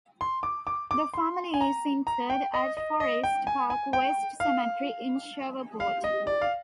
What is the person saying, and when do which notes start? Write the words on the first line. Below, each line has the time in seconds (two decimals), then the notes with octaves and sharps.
The family is interred at Forest Park West Cemetery in Shreveport.
0.21 C6
0.43 D6
0.67 D6
0.91 D6
1.14 C6
1.54 G#5
1.61 A#5
2.07 A#5
2.30 G5
2.54 D#5
2.77 D#5
3.00 D#5
3.24 G5
3.47 G#5
3.70 G#5
3.93 G5
4.40 F5
5.80 F5
6.04 D#5
6.27 D5
6.42 F5